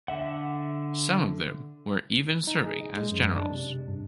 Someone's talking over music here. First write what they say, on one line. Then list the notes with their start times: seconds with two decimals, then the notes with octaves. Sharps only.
Some of them were even serving as generals.
0.08 D3 E5 F#5
2.47 D#4
2.66 G#4
2.81 D#5
2.97 G#3
3.12 F#2
3.35 D4
3.52 C3
3.88 G2